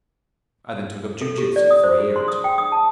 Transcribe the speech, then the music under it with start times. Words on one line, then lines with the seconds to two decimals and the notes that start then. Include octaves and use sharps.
I then took up jiu-jitsu for a year or two.
1.21 A4
1.38 G4
1.56 D5
1.71 D#6
1.84 C5
2.00 G#4
2.16 C6
2.28 D#6
2.44 G5
2.58 D#6
2.72 A5